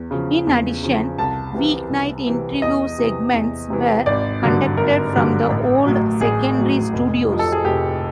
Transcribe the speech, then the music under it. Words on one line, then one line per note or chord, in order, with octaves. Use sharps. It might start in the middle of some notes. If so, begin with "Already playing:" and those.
In addition, weeknight interview segments were conducted from the old secondary studios.
Already playing: E2
C#3 F3
E2
C#3 F3
C2 A5
C3 E3
C2
C3 E3
E2 D#5
C3 E3
E2
C3 E3
G#1 D5
G2 D3 F#3
G#1 A#4
G2 D3 F#3
A1
A2 F#3
A1 G#4
A2 F#3
F1
F2 C3 F3
A4
G#4
F1 G4